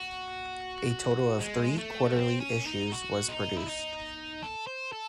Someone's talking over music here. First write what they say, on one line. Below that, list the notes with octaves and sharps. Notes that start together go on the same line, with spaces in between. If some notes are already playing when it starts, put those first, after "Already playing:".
A total of three quarterly issues was produced.
Already playing: F#4
G#3
A3
C4
C#4
D#4
F#4
D#4
E4
D#4
A4
C5
A4